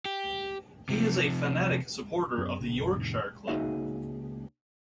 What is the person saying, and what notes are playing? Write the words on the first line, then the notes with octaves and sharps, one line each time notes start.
He is a fanatic supporter of the Yorkshire club.
G4
C3 F3
F#2 F#3 B3 C#4
B1 A#2 C#3
F#1 B1
F2 A2 C3 D#3
C#2 A#3 D#4 F#4 G#4 E5